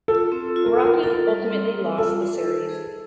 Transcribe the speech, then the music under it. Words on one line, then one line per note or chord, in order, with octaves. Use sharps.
The Rockies ultimately lost the series.
F4 A4
C4
F4
A#4
A4
F4 A#4
A4 A#4
G3
C4
G3
F4 A4
F4
C5
G#4